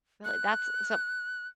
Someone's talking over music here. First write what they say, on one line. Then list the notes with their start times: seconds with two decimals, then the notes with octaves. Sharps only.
Really? That's so
0.25 F#6